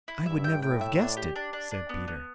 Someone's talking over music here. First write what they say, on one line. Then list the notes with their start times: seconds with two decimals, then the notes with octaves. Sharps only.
"I would never have guessed it," said Peter.
0.08 E4
0.26 G2 E5
0.44 G5
0.62 A2 G5
0.81 E5
0.99 D4
1.17 G4
1.36 D4
1.53 D4
1.71 D4
1.89 B3
2.08 B3